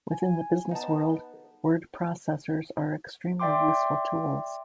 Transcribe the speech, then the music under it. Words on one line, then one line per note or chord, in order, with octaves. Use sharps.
Within the business world, word processors are extremely useful tools.
G#5
B3 D#4 A5
D5 E5 G5 C6 D6